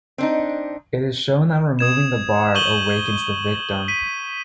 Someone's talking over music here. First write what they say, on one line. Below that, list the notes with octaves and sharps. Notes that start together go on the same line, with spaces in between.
It is shown that removing the barb awakens the victim.
C4 D4 D#4
D#6 G#6 E7
C#6 G6 D#7 F#7 G7
B6 D#7